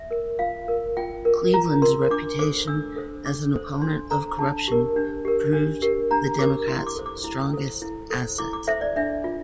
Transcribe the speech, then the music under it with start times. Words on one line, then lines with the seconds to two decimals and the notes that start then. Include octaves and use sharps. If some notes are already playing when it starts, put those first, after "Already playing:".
Cleveland's reputation as an opponent of corruption proved the Democrats' strongest asset.
Already playing: E5
0.11 A#4
0.39 F4 F5
0.68 A#4
0.97 F4 G5
1.25 A#4
1.54 F4 A#5
1.82 A#4 C6
2.10 D4 D6
2.39 A4 C5 D6
2.68 D4 E6
2.96 A4 C5
3.25 D4 D6
3.54 A4 C5
3.81 D4 C6
4.11 A4 C5 A#5
4.39 D4 A5
4.68 G4 A#4
4.96 D4
5.25 G4 A#4
5.53 D4
5.82 G4 A#4
6.11 D4 A#5
6.39 G4 A#4 D6
6.68 E4 C6
6.87 D6
6.96 A4 C5
7.06 D6
7.24 E4
7.53 A4 C5
7.82 E4
8.10 A4 C5
8.38 E4 D6
8.53 D6
8.67 A4 C5 E5
8.81 D5
8.96 D4 E5
9.24 F4